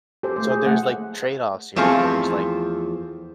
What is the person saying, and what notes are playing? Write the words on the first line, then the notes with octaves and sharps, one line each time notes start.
So, there's, like, trade-offs here. There's, like
G4 A4 C5
A3 C5
G#4 G#5
A3 F#5
E2 F3 A3 C4 F4 G#5